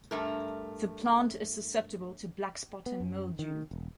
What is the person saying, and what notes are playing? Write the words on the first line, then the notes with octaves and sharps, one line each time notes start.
The plant is susceptible to blackspot and mildew.
G2 A3 A#4
B3
F#2
D#3
E1